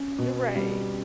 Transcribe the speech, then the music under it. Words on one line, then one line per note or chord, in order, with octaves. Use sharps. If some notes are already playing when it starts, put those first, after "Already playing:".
You're right.
Already playing: C#4
B2
G3